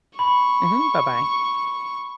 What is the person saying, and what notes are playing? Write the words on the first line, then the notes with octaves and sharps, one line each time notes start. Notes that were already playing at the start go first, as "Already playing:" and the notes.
Mhm, bye-bye.
B5 C#6